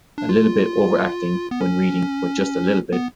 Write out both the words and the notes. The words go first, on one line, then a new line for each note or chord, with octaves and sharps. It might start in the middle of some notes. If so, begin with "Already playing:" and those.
A little bit "overacting" when reading, but just a little bit!
D4
F4
B3
C#4
B3